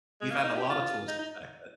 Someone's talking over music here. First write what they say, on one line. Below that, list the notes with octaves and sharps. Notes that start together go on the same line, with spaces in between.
we've had a lot of tools since back then."
G#3
A#3
D#4
G4
F4
D#4
D#4